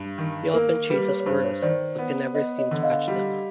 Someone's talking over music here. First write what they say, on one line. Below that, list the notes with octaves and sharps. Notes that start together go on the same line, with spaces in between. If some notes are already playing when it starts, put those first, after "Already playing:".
He often chases worms, but can never seem to catch them.
Already playing: G2
D#3
A#3 A#4
G3 B4
C#5
C#5
G2 C5
C#5
D#3 C5 D5
B3
B3 C#5 D#5
C#5 D#5
D3
D#5 F5
G3